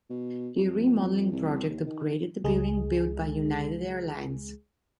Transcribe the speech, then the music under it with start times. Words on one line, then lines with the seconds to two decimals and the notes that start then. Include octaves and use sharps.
The remodeling project upgraded the building built by United Airlines.
0.10 B2
0.55 F2
1.31 C2
1.69 D#2
1.86 D#3
2.44 C#2 G#3 G#4